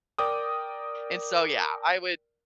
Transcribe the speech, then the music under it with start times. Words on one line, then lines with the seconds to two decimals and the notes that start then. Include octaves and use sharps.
and so, yeah, I would
0.18 A#4 D5 G5 D6 D#6